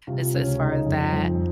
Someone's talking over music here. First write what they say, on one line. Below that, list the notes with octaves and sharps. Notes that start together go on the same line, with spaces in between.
as as far as that.
C3 F4
C#2 C#4
C#3 D#4
F2
F2